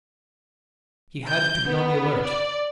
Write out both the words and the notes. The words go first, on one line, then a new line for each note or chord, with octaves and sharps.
He had to be on the alert.
G6
B3
D5